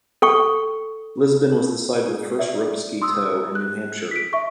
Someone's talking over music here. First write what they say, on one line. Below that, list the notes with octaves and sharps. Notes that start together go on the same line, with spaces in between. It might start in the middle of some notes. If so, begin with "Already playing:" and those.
Lisbon was the site of the first rope ski tow in New Hampshire.
A4 G5 C#6
D5 E5
C6 D#6 E6
F#6
B6 D7
E5 C#6